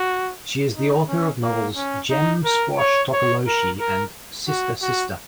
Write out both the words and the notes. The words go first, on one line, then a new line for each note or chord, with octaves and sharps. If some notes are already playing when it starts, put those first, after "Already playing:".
She is the author of the novels "Gem Squash Tokoloshe" and "Sister-Sister".
Already playing: F#4
D#4
C#4
A#3
C#4
D#4
A#4
C#5
C#5
A#4
A#4
F#4
F#4